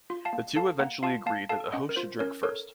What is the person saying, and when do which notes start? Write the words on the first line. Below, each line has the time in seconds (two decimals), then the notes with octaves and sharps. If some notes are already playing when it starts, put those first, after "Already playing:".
The two eventually agreed that the host should drink first.
0.10 F4
0.25 F5 A5
0.33 A#3
0.56 A4 F5 A5
0.79 A#3 F#5 A#5
1.03 F4 F5 A5
1.26 A#3 F5 A5
1.49 A4 F5 A5
1.73 C#4 D#5 F#5
1.89 A#4
1.96 F4 C5
2.19 C#4 A#4 C#5
2.43 A4 A#4 C#5